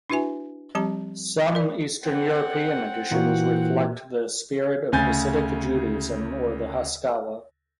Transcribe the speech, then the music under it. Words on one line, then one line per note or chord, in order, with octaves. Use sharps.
Some East European editions reflect the spirit of Hasidic Judaism or the Haskalah.
D4 E4 F#4 B4 E5 G#5
F3 G3 C4 G4 A5 A#5
A#4 D5
C4 F#5
A#2 E3 A#3 F#4
D2 C#3 G#5 G6 A6